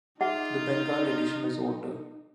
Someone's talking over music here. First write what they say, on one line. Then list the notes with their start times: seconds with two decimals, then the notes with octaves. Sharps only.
The Bengal edition is older.
0.21 D#4 F4 G#4 E5 F#5